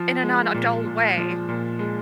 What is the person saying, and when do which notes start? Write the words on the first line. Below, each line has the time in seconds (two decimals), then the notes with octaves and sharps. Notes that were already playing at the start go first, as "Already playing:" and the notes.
in a non-adult way,
Already playing: F3
0.23 G#3
0.54 A#2
0.86 A#2
1.18 F3
1.49 A#2
1.79 G#3